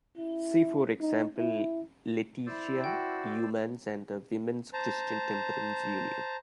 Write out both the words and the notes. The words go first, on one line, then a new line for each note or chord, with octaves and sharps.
See for example Letitia Youmans and the Women's Christian Temperance Union.
E4
D#4
E4
E4 C5 D5 E6
F#4 G5
C5 A5 A#5